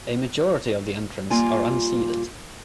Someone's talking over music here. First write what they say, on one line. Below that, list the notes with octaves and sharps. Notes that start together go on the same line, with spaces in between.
A majority of the entrants are unseeded.
G3 A#3 F4 G#5